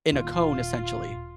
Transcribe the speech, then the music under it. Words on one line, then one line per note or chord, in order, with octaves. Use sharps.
in a cone, essentially.
D#1 F4